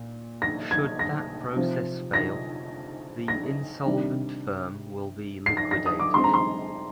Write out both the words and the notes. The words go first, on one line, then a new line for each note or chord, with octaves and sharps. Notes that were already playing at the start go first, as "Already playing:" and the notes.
Should that process fail, the insolvent firm will be liquidated.
Already playing: A#2
A#6
G#6
A#6
C3 F3 C4
A#6
A#6
C3 D#3 G3 D4
C7
A#6
A#6
D#6
D6
D3 G#3 C4 C6
A#5
C6